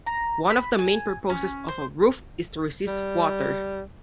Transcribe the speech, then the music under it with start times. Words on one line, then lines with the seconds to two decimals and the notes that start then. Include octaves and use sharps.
One of the main purposes of a roof is to resist water.
0.06 A#5
0.50 B5
0.79 G#5
1.29 C#4
1.68 C5
2.88 G3